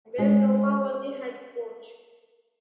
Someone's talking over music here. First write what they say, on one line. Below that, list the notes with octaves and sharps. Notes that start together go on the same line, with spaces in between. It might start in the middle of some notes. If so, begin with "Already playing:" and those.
Bill Roper was the head coach.
G#3